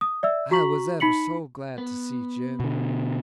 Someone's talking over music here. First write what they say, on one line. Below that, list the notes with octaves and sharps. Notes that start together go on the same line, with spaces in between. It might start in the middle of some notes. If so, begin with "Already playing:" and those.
I was ever so glad to see Jim.
D#6
D5 E5 E6
F#4 A#5 C#6 B6 F#7
D#4 B5 B6 C#7 F#7
B3
B2 D3